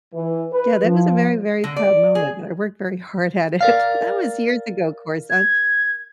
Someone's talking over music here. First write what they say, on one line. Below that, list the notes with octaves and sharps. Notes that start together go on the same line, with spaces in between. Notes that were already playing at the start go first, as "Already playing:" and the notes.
Yeah, that was a very, very proud moment, I worked very hard at it. That was years ago, ‘course, uh,
E3
B4
F3
D3
D5
G#4
A#4 D5 F5
G#6